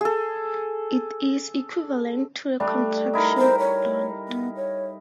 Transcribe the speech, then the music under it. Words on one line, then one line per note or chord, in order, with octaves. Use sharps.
It is the equivalent to the contraction "don't".
G#4 A4
G3 A3 D4
D#4 E4 A#4
C5
C#5
B3
C#5